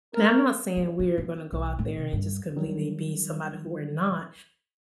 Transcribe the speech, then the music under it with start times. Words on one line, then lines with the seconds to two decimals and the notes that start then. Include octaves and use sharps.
And I'm not saying we are gonna go out there and just completely be somebody who we're not,
0.14 A#4
0.77 C4
0.99 D4
1.18 B3
1.53 B1
1.79 A2
1.97 C3
2.13 G2
2.56 D#3 F#3 G3